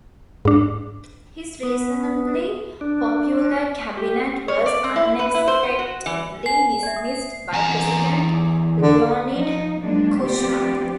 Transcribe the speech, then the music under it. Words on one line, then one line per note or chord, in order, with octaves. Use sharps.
His reasonably popular cabinet was unexpectedly dismissed by President Leonid Kuchma.
G#2 D4
B3
D4
G4
C#5
D5
C4
E4
B4
E4
C5
B3
F#4
E3
G#5 C7
D5 E5
D#6
E2 G#5 A#5
D3
F3 D#4
F3 F#3 G#3 A#3 D4
D2 F3 B3 C4 G4 D5